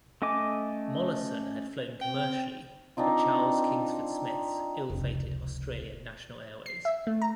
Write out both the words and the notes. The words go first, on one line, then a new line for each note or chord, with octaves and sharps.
Mollison had flown commercially for Charles Kingsford Smith's ill-fated Australian National Airways.
A3 C#4 D#5 G#5 D6
C4 G5
C4 D4 D#4 F4
F1 C#2
C7
E5
A3
A#5